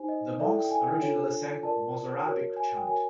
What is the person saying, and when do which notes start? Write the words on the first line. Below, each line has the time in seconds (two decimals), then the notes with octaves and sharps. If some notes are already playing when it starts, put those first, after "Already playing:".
The monks originally sang Mozarabic chant.
Already playing: D#4 G4 C5 G#5
0.09 D#5
0.39 E4 A4 D5 E5
0.54 G5
0.64 G5
0.71 G#5
1.02 D4 F4 A4 C#5
1.63 F4 A#4 D5 A5
2.26 F#4 A#4 C#5
2.56 G#5
2.77 G5
2.87 F#4 A#4 C#5 G#5